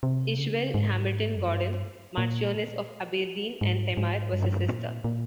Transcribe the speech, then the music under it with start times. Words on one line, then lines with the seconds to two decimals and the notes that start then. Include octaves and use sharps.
Ishbel Hamilton-Gordon, Marchioness of Aberdeen and Temair, was his sister.
0.03 C3
0.39 C#3
0.74 G#2
1.36 F#2
1.46 G2
2.18 A#2
3.61 G#2
3.97 G#2
4.33 G2
4.69 A#2
5.04 A#2